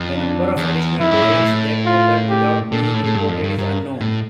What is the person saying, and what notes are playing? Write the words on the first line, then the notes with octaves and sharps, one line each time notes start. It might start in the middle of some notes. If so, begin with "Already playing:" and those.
The number of additional doorings that occurred without being reported is unknown.
Already playing: F2
D4
E2
F2 E4
G2
A2
A#2
A2
F4
G4
A#2 A4
A#2
A2
A2
G2
F2
G2
G2 A#4
A2